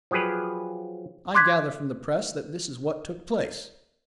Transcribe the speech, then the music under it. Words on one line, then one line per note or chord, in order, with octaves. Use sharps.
I gather from the press that this is what took place.
F3 F#3 G4 G#4 B4
C6 D6 F#6 G#6 B6